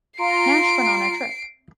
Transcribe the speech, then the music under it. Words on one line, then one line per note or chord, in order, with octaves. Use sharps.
Nash went on the trip.
F4 A#5 C6 C7 D7